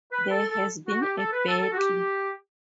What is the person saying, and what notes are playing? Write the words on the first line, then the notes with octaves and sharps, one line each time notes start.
There has been a battle.
B4
A4
A4
F#4
G4
A4
B4
A4
A4
F#4
G4